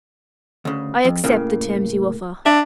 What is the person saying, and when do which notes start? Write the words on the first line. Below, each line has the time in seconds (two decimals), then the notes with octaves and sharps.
I accept the terms you offer.
0.65 D2 C#3
1.05 F2
1.24 A2 C#3 A#3
2.46 D4 E5